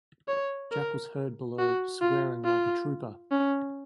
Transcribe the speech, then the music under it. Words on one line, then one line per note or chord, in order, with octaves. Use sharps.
Jack was heard below, swearing like a trooper.
C#5
A#4
F#4
F4
F4
C#4